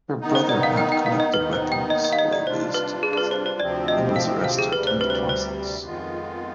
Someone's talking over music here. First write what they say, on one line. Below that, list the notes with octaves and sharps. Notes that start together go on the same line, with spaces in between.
Her brother had collected weapons for the resistance and was arrested in the process.
D#3 B3 D#4
C5
D5
F5
G5
G5
F5
D#5
D#2 D#3 B3 D#4 B4
C5
G5
D#5
D#5
F5
D#5
D5
C3 G3 D4 F4 C5
B4
G#4
G#4
B4
C5
C5
D2 C3 F3 C4 D5
D#5
F5
F5
G#4
D2 C3 G3 B4
C5
B4
C5
B4
C5
F2 D#3 G#3 B3 F4